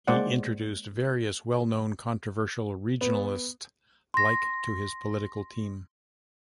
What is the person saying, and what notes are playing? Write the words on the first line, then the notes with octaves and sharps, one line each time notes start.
He introduced various well-known controversial regionalist like to his political team.
G#3 A#3 C5 D5 F#5
B3
C6 A#6